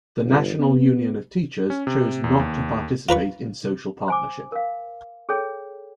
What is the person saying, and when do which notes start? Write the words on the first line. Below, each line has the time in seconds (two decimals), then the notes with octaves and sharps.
The National Union of Teachers chose not to participate in social partnership.
0.24 G1
0.60 B3
1.70 C#4
1.87 C3
2.24 E2
2.39 D#2
3.09 F4 A#4 B4 C#6
4.08 C5 G#5 D6
4.52 A#4 F5
5.29 G#4 A4 C#5 G5